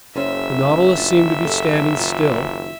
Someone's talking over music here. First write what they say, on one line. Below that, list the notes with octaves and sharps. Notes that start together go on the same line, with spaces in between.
The Nautilus seemed to be standing still.
F#1 C#3 C#4 C5 E5
D4 F4
G4 A4
D#3 F4